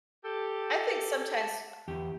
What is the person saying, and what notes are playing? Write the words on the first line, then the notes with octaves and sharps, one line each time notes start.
I think sometimes
G4 A4
A5
E2 G4